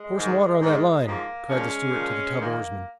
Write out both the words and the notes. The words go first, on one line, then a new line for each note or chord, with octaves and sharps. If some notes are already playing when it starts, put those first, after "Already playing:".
"Pour some water on that line!" cried the steward to the tub oarsman.
Already playing: G#3
G#2 D#3
G#2 D#3
G#2 F3 A#3
A#2 F3 G#3 C#4
A#2 F3
G#2 D#3 A#3